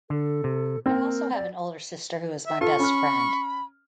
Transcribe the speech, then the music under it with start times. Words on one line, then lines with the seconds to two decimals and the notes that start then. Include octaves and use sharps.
I also have an older sister who is my best friend.
0.10 D3 A4
0.44 C3
0.86 A#3 C4 A#4
1.33 D5
2.47 E5
2.61 F4 A4 C#6
2.79 C#4 B5 F6